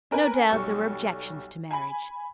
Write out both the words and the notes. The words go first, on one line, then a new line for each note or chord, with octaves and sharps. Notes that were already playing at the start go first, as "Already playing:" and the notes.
No doubt there were objections to marriage.
C#4 A#4 B4 G#5
B1 G3 A4 C#6
G#5 B5